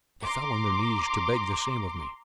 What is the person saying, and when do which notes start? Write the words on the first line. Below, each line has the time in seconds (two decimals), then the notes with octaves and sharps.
They fell on their knees to beg the same of me.
0.22 A#5 C6 D6